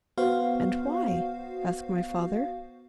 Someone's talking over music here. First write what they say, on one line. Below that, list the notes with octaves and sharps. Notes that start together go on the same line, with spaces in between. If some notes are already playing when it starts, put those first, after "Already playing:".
"And why?" asked my father.
B3 F#4 C5 F5